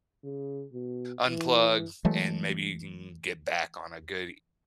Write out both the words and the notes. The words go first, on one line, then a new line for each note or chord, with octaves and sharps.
unplug and maybe you can get back on a good
C#3
B2
E3
E3 F#3 G#3 A3